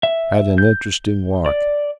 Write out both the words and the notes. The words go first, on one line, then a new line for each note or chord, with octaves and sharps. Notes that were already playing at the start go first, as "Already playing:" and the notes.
Had an interesting walk.
E5
G6
D5